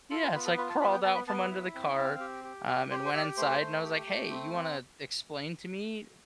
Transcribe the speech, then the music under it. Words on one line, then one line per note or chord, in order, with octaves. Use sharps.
Yeah, so, I crawled out from under the car, um, and went inside, and I was, like, "Hey, you wanna explain to me,
F4 A4
B4
B3 B4
A4
F4 B4
A5
B3 B5
G5
B3 A5
B5
B3 A5
E4
C4
C4 F5
G4
G4
G4
G4 C5
C5
G4 E5
D5
A3 C5
A3
G4
A3
C4
C4